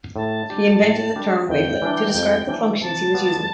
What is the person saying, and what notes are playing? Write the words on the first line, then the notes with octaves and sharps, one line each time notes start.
He invented the term "wavelet" to describe the functions he was using.
A2 A5
G3 D4 G4
A2
G3 D4 G4
F2 G5
E3 G3 D4
F2
E3 G3 D4
C3 A5
G3 B3 F4